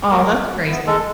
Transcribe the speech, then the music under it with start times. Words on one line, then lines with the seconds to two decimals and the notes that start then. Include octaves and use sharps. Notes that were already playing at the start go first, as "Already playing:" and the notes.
Oh, that's crazy.
0.11 A#3 A#4
0.29 C#4 F4
0.49 F#3
0.67 B3 E4
0.86 G#3 A4